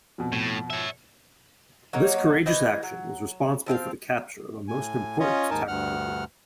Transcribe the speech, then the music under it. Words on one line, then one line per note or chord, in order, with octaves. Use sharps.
This courageous action was responsible for the capture of a most important tactical point.
F2 B2
A2
C#5 E5
F#3 A#3 D#4 C#5
E3 C5 D#5 G#5
F#3
F3 C4 D#5 F5
A2 G#5
C#4 F4 C#5 D#5
D#2 G#2 D#4 A#4 G#5 A5
D2 G2 F#5 F6